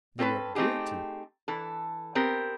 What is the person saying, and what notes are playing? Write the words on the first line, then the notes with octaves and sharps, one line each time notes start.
"Then you are guilty."
C4 C#4 A4 B4
A3 C4 D#4 G4 G#4
E3 A4
B3 C4 G4 A#4